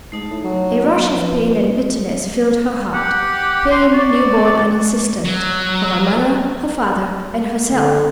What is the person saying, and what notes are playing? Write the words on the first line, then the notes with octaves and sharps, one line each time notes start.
A rush of pain and bitterness filled her heart--pain, new-born and insistent, for her mother, her father, and herself.
G#2 A3 D#4 A5
A2
F#3
F3 B4
G4 F#5
C6
F#4 D5
F#3
D3